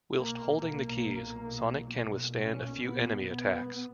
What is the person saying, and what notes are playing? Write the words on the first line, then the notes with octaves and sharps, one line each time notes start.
Whilst holding the keys, Sonic can withstand a few enemy attacks.
B1 A#2 A#3
A#3
C#4
B3
B3